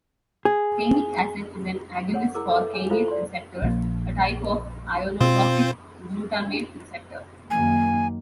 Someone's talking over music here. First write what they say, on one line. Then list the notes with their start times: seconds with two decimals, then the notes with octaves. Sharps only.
Kainic acid is an agonist for kainate receptors, a type of ionotropic glutamate receptor.
0.45 G#4
2.14 C#5 F#5
2.35 E4 G#4 A#4 D6
2.49 A4 B4 C#5 E5 D6
2.74 G#4 C#5 G#5
2.90 E4 F4 A4 C5 F5
3.08 D5 C6
3.62 A#1 F3 A#3
5.21 B2 C4 F4 C5
7.50 F#2 D#3 A#3 G#5